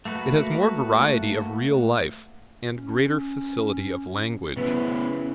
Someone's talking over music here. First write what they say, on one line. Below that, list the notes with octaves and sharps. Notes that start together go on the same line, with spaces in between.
It has more variety of real life, and greater facility of language.
A3 A#3 F#4 B4
C#4
C#3 B3 C#4 E4 B4